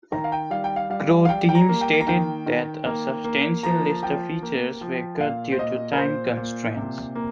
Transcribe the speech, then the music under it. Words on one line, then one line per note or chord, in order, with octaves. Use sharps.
Croteam stated that a substantial list of features were cut due to time constraints.
D#3 A#5
F5
G5
G3 F5
G5
F5
G3 F5
F5
G3 G5
G5
A#5
A#3
G5
A#5
D#3 G5
D#3
A#3
A#3
F3 A#5
F3 G5
A#3
F3
A#2 F5
C5
A#2 D#5
A#4
A#2 C5
A#2
C3
A#3